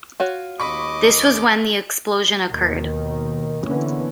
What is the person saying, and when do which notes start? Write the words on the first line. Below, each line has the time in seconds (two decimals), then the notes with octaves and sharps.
This was when the explosion occurred.
0.20 F4 F#4 C#5
0.60 D#2 D#5 B5 C#6 D6
2.49 D#2 B2 D#3
3.65 D3 E3 A#3 B3 C#4